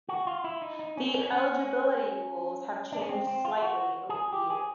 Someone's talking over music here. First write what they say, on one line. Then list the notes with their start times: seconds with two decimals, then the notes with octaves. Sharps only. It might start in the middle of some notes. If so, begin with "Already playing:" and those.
The eligibility rules have changed slightly over the years.
0.09 F#4
0.27 F4
0.44 E4
0.62 D#4
0.79 D#4
0.97 C#4
1.15 C#4
1.32 C#4
2.92 D4
3.01 C#4
3.09 C4
3.27 C4
3.45 F4
3.62 F#4
4.09 G#4
4.33 G4
4.50 G#4